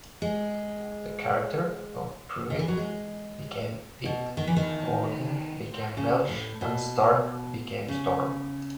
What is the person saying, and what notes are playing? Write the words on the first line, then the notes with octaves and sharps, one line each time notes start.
The character of Prewitt became Witt, Warden became Welsh and Stark became Storm.
G#3
D#3
E3
F#3
G#3
B2
D#3
E3
D#3
C#3
A2
B2
C#3